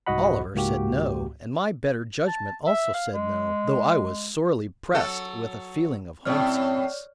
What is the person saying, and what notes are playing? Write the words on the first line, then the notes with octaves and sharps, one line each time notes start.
Oliver said no, and my better judgment also said no, though I was sorely pressed with a feeling of homesickness.
C2 G#2 F#4 D#5 F#5 B5
C#2 G#2 A#3 F#4 G4
A5
E5
F5
G#3
F#3 A4
F#2 A2 C4 C#5 D5 F6